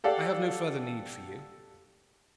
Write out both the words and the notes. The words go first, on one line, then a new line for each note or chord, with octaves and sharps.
I have no further need for you.
G4 A4 D5 F5 F#5 A5